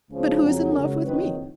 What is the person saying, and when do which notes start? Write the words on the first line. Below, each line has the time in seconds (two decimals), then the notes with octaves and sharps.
But who is in love with me?
0.10 C#2 C#3 F3
0.41 F2 C#3 F#3
0.73 C#2 C#3 F#3 A#4
1.06 F#1 F2 D#3 F#3 B4